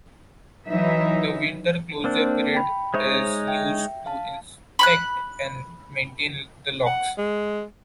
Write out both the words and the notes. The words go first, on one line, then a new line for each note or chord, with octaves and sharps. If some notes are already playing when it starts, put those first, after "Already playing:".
The winter closure period is used to inspect and maintain the locks.
E3 F#3 D#4 E5
A#3 C4 D4 C5
G5 B5
G#3 D#4 C5 C#5 E5
E5 G5
F5 A5
B5 C#6 F#6
F#5
G#3